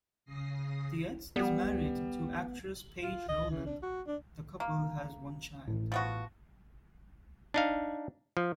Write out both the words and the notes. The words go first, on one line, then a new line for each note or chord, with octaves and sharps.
Dietz is married to actress Paige Rowland; the couple has one child.
C#3 D#6 A#6 C7
G3 B3
F4
D#5
E3
D4
F#4
D4
A#3
A1 A2
F3 B3 F#4
D4 D#4 F5
F3